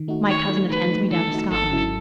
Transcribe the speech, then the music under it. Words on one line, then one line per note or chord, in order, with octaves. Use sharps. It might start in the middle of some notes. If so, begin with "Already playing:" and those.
"My cousin attends me down to Scotland."
Already playing: D#3
A3 D#4 F#4
D#3 C#5
A3 D#4 F#4
D#3 B4
A3 D#4 F#4
D#3 A4
A3 D#4 F#4
G#1 A4
G#2 F#3 C#4 E4